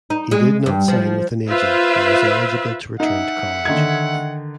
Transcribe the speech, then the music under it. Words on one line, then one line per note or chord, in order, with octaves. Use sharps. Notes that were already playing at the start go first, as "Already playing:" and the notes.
He did not sign with an agent and was eligible to return to college.
D#4
G#3
G2
F3
F4 B4 C5 E5
D#4 E5 F#5
D3 D#3 G#6